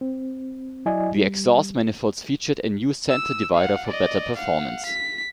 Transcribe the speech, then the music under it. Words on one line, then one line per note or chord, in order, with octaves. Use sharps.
The exhaust manifolds featured a new center divider for better performance.
C4
F#3 E4 D5 D#5 G#5
G3
E6
F5 F#5
D5 D#5
F5 F#5
B6